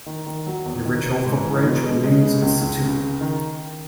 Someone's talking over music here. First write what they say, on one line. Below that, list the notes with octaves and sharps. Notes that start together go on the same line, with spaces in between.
The original footbridge remains in situ.
D#3
D#3
F#3
E2
D#3
B3
G#2
E3
B2
G#3
G#3
C#3
C#2
C#2
C#3
C#3
D#3